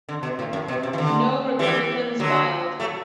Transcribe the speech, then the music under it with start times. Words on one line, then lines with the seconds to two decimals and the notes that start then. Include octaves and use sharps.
No Republicans filed.
0.09 D3
0.23 B2
0.39 A2
0.53 F#2
0.68 B2
0.83 C3
0.93 E3
0.98 D3
1.59 E3 G3
2.20 D3 F#3
2.80 F#3 A3